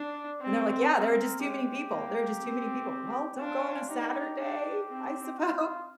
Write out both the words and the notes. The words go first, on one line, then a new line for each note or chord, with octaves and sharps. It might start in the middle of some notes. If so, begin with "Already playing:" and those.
And they're, like, "Yeah, there are just too many people, there are just too many people." "Well, don't go on a Saturday, I suppose.
Already playing: D4 D5
C4 C5
C4 A#4
G#3 G4
A#3
C4
G4
D4 F4
D#4 G4
D4 G4
C4
F4